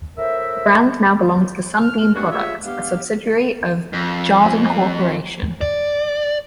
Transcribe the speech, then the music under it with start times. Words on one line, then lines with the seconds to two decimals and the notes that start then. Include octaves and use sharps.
The brand now belongs to Sunbeam Products, a subsidiary of Jarden Corporation.
0.17 A2 A#4 C5 E5
1.79 F6
2.15 G2 G#3 C#4 D4 E4 F#4
2.32 F4 G4 G#4 C#5 E5
2.65 G2 B3 G4 F5
3.93 F2
5.61 D5